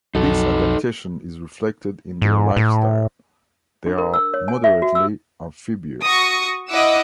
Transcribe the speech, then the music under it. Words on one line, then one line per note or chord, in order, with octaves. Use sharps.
This adaptation is reflected in their life style; they are moderately amphibious.
B1 F2 F#3 D#4 A4
G#2
A2
D4
A#4
E6
C#5
G#5
E5
F#4
E6
F#4 C#6 D#6 A#6
E4 D#5 F#5 D6 E6